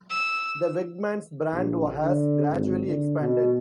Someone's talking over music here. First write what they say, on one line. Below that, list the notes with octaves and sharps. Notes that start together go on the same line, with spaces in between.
The "Wegmans" brand has gradually expanded.
E6
A#1
D3
G#1
D3
B2